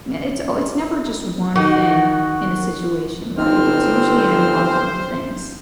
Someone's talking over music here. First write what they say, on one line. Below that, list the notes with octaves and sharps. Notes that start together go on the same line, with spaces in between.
eh it's it's never just one thing in a situation, right? It's usually an amalgam of things.
D#3 F#4
G1 C4 D#4 C5 F6